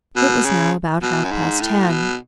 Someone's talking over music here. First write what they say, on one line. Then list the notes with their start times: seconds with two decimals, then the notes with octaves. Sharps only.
It was now about half-past ten.
0.16 B2
0.45 C#3
1.02 B2
1.24 F#2
1.31 G#2
1.60 A2
1.89 B2